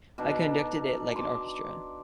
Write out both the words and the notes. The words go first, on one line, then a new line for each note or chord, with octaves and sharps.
I conducted it like an orchestra.
B2 D4 D#4
C6 D6